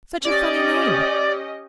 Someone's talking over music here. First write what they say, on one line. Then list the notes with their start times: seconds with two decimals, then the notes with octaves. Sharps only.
"Such a funny name."
0.25 C#4 G4 D5 D#5